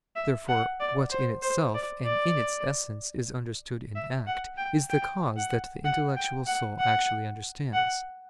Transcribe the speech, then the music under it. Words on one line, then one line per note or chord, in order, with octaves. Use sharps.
Therefore what in itself and in its essence is understood in act, is the cause that the intellectual soul actually understands.
E5
F#5
D5
C5
C5
D5
D5
E5
F#5
G5
G5
F#5
F#5
G5
F#5
F#5
F#5